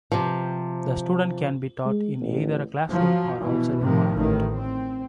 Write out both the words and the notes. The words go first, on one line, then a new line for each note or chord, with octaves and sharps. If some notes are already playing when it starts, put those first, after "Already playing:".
The student can be taught in either a classroom or outside environment.
C3 F3
G#3
A1
F3 F#3
B2 E3
A2 C3 D#3 F3
A1 A2 D#3
C4